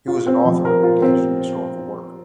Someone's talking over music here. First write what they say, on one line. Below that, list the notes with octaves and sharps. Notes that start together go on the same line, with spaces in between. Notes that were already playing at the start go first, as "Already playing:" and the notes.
He was an author and engaged in historical work.
F4
C4
F3
A#4
F4
C4